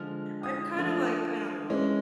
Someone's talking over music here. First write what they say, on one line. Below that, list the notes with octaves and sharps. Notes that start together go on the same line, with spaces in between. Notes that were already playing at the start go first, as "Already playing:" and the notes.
I'm kinda, like, I don't know.
Already playing: D3 F3 G#3 F6
D#6
F3 A3 D4 F4
E3 G#3 C#4